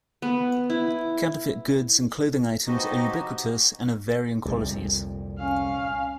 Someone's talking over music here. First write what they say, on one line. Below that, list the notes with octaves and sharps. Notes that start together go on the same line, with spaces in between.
Counterfeit goods and clothing items are ubiquitous and of varying qualities.
B3
E4
F3 B3 D#4 F#4 G4 D#5
C2 F2 A#2
C#4 F5